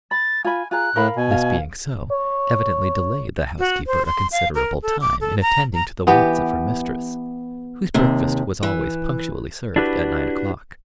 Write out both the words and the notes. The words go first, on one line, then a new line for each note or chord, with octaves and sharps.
This being so, evidently delayed the housekeeper a considerable time in attending to the wants of her mistress, whose breakfast was always punctually served at nine o'clock.
B5 A6
F4 G#5 B5
F4 G#4 A#5 F#6
A2 A#4 F5 B5
B2 G#5
F5
C#5
F#4
C5
C6
F5
A#4
A4
D6
A4
A#5
A#5
E3 B3 G4
D#2 C3
E3
D4 E4 F#4 G4 A#4 B4